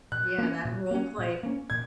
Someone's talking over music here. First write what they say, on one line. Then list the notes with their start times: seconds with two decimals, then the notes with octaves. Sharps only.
yeah, that roleplay.
0.12 A#2 F#6
0.38 A#3 C#4
0.65 A#2
0.91 A#3 C#4
1.18 A#2
1.43 A#3 C#4
1.70 A#2 G#6